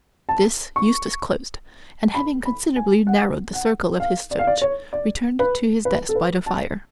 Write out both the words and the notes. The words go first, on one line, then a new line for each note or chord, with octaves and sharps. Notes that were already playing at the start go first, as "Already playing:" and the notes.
This Eustace closed, and having considerably narrowed the circle of his search, returned to his desk by the fire.
A5
C#6
B5
B5
G#5
F#5
F#5
F5
D5
F5
D5
C#5
D5
B4
B4
A4
B4
A5